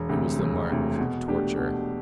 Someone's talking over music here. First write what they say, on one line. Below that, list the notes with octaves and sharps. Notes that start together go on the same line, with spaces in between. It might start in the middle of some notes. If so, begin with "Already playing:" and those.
It was the mark of--torture!
Already playing: E1
D2 C3
E1
D2 C3
B2
A3 D4 G4
B2